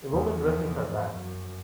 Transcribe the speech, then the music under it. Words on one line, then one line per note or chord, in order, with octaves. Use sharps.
A woman resting her bags.
E2
E2 F3
G#2
F#2